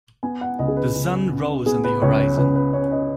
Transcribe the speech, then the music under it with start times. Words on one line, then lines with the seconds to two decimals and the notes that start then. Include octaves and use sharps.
The sun rose on the horizon.
0.23 B3 G#5
0.41 F#5
0.59 C#2 D#5
0.68 G#4
0.76 B4
0.95 C#2
1.31 C#3
1.66 B3 G#4
1.84 B4
2.02 C#2 C#5
2.19 C#5
2.37 C#2 B4
2.56 B4
2.73 C#3 C#5
2.91 D#5